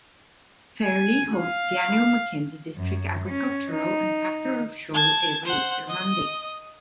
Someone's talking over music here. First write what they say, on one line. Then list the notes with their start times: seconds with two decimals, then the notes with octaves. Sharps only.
Fairlie hosts the annual Mackenzie District Agricultural and Pastoral show every Easter Monday.
0.82 G#5
1.34 F5
2.76 F#2
3.29 C#4
3.71 D#4
4.94 A5 G#6
5.45 C5 F#5
5.88 D#5 D#6